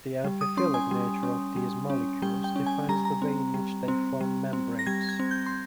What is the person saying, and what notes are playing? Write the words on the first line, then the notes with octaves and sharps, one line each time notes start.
The amphiphilic nature of these molecules defines the way in which they form membranes.
G3
D#6
C#4 C6
G#5
G3
C#4
G3
C#4
G3 G5
G5
C#4
G#5
G3 A#5
A#5
C4
G3
C4
G3
C4
A#6
G3 G#6
G#6
C4
G6
C6